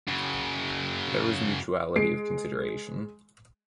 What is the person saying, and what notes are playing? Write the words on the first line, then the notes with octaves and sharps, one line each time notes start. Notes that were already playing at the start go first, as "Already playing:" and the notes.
There was mutuality of consideration.
F#2 C#3
G#3 C7 D7